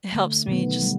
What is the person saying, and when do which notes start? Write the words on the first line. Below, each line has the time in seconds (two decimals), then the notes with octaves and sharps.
it helps me just,
0.12 D3 A3
0.47 B2 D#3 F#3 A3 B3
0.83 G3